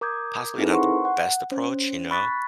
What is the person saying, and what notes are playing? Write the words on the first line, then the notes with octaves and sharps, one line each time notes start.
possibly not the best approach, you know,
A#4 D6 D#6 G6 G#6
C4 D#4 E4 G#4 A4 B4
A#4 C5 F#5 C6 C#6
F#5
C#4 C5
B5 C#6 F#6 A6 B6